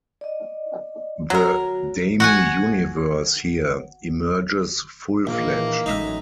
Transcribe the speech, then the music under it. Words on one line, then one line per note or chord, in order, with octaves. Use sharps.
The Demy universe here emerges full-fledged.
D5 D#5
F#3 F#4 A#4
F#4 F#5 G#5
A#1 A#2 D#3 E3 A#3
A1 F#3 G#3 D#4 D#5 E5